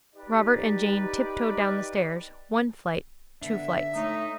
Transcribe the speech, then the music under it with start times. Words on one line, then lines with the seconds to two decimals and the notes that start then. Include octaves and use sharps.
Robert and Jane tiptoed down the stairs--one flight, two flights.
0.15 D#4 G4 B4 D5
3.42 D3 B3 D4 E5
3.95 A3 D#4 C#5